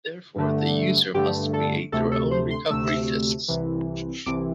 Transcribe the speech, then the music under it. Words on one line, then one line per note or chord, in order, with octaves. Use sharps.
Therefore, the user must create their own recovery disks.
G2 D3 A3
G2 D3 A3 G4
A4
D2 C3 A3 A4
A4
C5
C6
D2 C3 A3 E6
C2 C3 E3
C2 C3 E3 D6